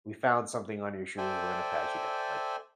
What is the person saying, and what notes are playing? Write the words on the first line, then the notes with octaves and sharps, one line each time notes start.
we found something on your shoes, we're gonna pat you down," like
A4 C5 D5 E5 G5 G#5